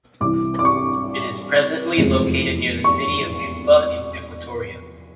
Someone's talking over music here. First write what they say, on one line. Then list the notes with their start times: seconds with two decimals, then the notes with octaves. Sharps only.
It is presently located near the city of Juba in Equatoria.
0.21 C2 C3 E3 D6
0.59 D6
0.65 C#6
1.97 F1 E2 C3 F3 G#3
2.84 C#6